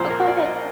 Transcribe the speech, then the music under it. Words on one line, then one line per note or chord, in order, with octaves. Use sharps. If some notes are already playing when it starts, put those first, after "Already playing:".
Oh, go ahead, no.
Already playing: C2 A#2 F3 C5
A#4
D5
D#5